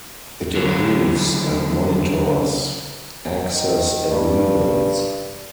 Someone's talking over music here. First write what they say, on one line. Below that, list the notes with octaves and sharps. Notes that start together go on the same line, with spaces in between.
It approves and monitors 'access agreements'.
F#2 D3
D#3
G2